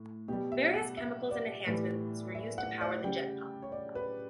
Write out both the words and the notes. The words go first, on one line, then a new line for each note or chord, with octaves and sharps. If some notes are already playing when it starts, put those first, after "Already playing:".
Various chemicals and enhancements were used to power the jet pump.
Already playing: A2
B2 G3 G4
E5
F#5
E5
D5
A2 E3 G3
E5
F#5
D5
C#3 G3 G5
C#5
D5
B4